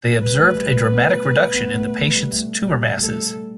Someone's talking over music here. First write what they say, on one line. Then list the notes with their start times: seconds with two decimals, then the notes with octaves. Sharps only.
They observed a dramatic reduction in the patient's tumor masses.
0.22 G3 B4
0.40 A3
0.57 G3
0.74 A3
0.92 B3
1.54 B3
1.62 A3
1.74 B3
1.80 A3
1.98 A3
2.15 G3
2.32 A3
2.67 G3
2.98 G3
3.03 A3 A4